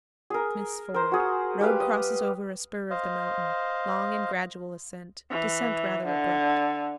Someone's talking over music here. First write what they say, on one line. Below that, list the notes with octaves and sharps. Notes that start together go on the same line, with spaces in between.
Smith's Ford.--Road crosses over a spur of the mountain; long and gradual ascent; descent rather abrupt.
G#4 A#4
A#4 C5
F#4 G#4
G3 G4 B4 F5
D#5
C5 D#5 F5
E3
D3